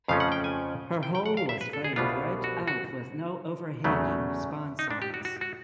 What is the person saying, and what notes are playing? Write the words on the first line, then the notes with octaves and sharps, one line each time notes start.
Her hull was flamed right out with no overhanging sponsons.
F2 C#3 F3 A3 C#4 F5
F#5
G5
G#5
G5
G5
F#5
F5
E5
B4
A4
G#4
C2 B2 G3 B3 D4 F4
F#4
F#4
E2 C#3 F#3 A3
D#4
D4
G4
F#4
F#4
F#4